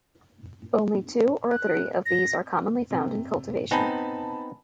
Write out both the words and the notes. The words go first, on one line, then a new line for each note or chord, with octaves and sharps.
Only two or three of these are commonly found in cultivation.
F#6
A#6
C3
B3 C4 D#4 G#5 A5 B5